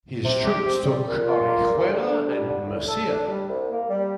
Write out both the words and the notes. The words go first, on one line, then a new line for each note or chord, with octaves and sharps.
His troops took Orihuela and Murcia.
C3
G4
C4
G3
A#2
F4
A#3
G3
D2
D4
G3
D3
A2
A4
D4
G3
C2
A#3
G3